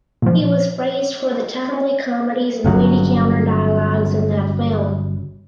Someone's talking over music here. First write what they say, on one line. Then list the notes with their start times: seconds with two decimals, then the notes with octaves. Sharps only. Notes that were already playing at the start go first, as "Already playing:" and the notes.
He was praised for the timely comedies and witty counter dialogues in that film.
0.22 A#2 F3
2.64 G1 C#3 F#3